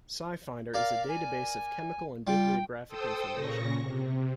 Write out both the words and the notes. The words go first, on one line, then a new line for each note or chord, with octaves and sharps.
SciFinder is a database of chemical and bibliographic information.
A#4 D5 F5
G#5
G3 F4 G5
A4 C5 G5 D#6 E6
A#2 C#3 C#6 A#6
C3